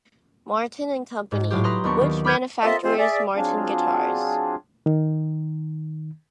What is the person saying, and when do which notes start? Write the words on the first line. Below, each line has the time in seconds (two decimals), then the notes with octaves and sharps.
Martin and Company, which manufactures Martin guitars.
1.32 G#2
1.51 A2 F#3 F4 G4
1.64 B4 D#5 A#5 C6
1.84 D#2 B3 D4 C#6
2.01 D#3
2.25 B5 D6 F6 G6 G#6 D#7
2.64 A#3 C4 F4 A4 D#5 E5
2.83 F3 G#3 C4 F4 G#4 C5
2.99 G#4 D5 E5
3.35 F#3 C4 D4 F4 G#4
4.86 D#3